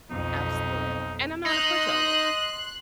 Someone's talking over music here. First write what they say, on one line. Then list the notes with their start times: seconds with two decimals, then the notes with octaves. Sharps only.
Absolutely, and I'm not a pushover.
0.11 B1 F2 D#4
1.46 D#4 D#5 C6 F#6